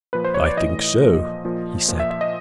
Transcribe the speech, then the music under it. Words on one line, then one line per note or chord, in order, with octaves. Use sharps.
"I think so," he said.
A#2 F3 B4
C5
C#5
D5
A2 E3 D#5
A#2 F3
A#2 F3
A#2 F3
E5
E5
D#5